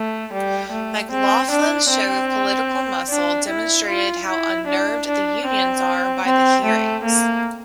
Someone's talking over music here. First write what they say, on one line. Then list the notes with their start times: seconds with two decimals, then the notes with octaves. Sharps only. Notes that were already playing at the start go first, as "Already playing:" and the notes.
McLaughlin's show of political muscle demonstrated how unnerved the unions are by the hearings.
Already playing: A3
0.33 G3
0.72 A3
1.12 C4
1.51 D4
1.90 C4
3.10 D4
3.49 E4
3.88 F4
4.27 E4
4.67 D4
5.07 D4
5.46 C4
6.25 C4
6.65 A3
7.04 A#3